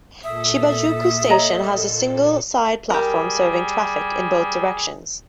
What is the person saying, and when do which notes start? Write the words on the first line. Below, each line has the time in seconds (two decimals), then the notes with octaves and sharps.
Shibajuku Station has a single side platform serving traffic in both directions.
0.23 A#2 A4 E5 D#6
1.30 C#5 D#5 A#5
2.90 G3 G4 G#4 A#4